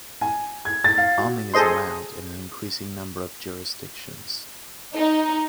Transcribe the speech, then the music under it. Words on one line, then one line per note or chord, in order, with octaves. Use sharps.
Arming is allowed in an increasing number of jurisdictions.
G#5
G#6
A6
F5
F#4
G#4 A4 C5 D#5 C6
D#4